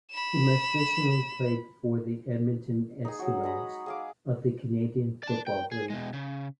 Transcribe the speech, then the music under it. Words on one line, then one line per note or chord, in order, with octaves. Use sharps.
He most recently played for the Edmonton Eskimos of the Canadian Football League.
B5 E7
D#4 G#4
F#3 F#4
G#3 A#5 B5
G#4 F5 D6
D5 A5
G5
G#4
B2 G#3
C#3